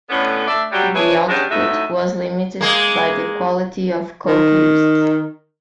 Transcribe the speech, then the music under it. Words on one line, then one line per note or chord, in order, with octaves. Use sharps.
The output was limited by the quality of coke used.
A2 D3 B3 C#4
A3 D4 D5 E5
F#3 G3
D4 E4 G#4 B4 C#5
G3 G#3 B3 C#4 D4
A2 F#3 A3 D#4 E5
G#3 A#3
D#3